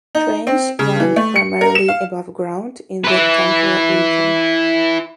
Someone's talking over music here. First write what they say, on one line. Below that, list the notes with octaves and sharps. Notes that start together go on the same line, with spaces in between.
Trains run primarily above ground in the Tampere region.
D#4
C4
C#3
E3
A3
C#7
A#4
E7
F5
E4 B4